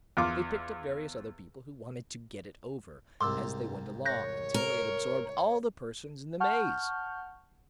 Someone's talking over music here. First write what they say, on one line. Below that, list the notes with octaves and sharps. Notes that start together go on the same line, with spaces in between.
They picked up various other people who wanted to get it over, as they went along, until they had absorbed all the persons in the maze.
E2 F4 D6
C2 G#2 C6 D6 E6
C#5 F#6 G6 A#6
A#4
F#5 A5 C#6 F6 G6